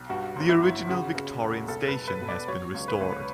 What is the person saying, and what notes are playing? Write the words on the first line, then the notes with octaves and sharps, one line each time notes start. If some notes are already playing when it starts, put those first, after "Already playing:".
The original Victorian station has been restored.
Already playing: B1
G2 F#4
G1
E4
G1
C#3 F#4
C#3
E1
B1 A4
B4
B1
B4
B2
D5
F#3 C#5
C#2
B4
C#2